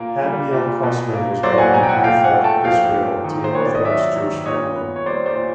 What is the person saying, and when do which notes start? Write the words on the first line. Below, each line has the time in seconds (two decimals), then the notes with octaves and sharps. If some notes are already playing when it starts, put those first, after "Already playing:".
Admiel Kosman was born in Haifa, Israel to an Orthodox Jewish family.
Already playing: A#2 A#3
0.23 G3
0.53 A#2
0.83 B2
1.13 A#3
1.43 F#3 C5 D5
1.58 F#5 G#5
1.73 B2 G#5 A#5
1.83 G5
1.89 F#5 G#5
2.04 A#2 F5 G5
2.24 F#5 G#5
2.34 A3
2.44 G5 A5
2.64 F3 F5 G5
2.94 A#2
3.24 D#3
3.44 C5
3.55 B3 C#5
3.65 D5
3.75 D#5
3.85 F#3 D5 E5
4.16 D#3
4.45 A#2 C#5 D#5
4.76 B3
4.96 C#5
5.06 G3 C5 D5
5.26 C5 D5
5.36 A#2